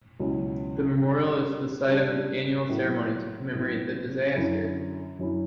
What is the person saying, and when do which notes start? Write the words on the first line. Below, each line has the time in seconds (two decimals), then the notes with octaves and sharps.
The memorial is the site of an annual ceremony to commemorate the disaster.
0.20 C#2 B2 F#3 C#4 E4
1.03 C#3 G3 D4
1.86 C#3 G3 D4
2.69 A2 F#3 B3
3.53 A2 F#3 B3
4.35 F#2 D3 F#3 C#4 E4
5.19 F#2 D3 F#3 C#4 E4